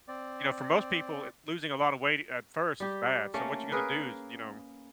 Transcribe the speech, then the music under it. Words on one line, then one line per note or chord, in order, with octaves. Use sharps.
you know, for most people, losing a lotta weight at first is bad. So what you're gonna do is, you know
C4 D5
G3 G4
A3 A#3 C#4
A#3 G#4 A#4 B4